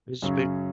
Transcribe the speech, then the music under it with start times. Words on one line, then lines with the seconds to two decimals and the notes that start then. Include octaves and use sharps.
It's be
0.22 F#2 C#3 F#3 C#4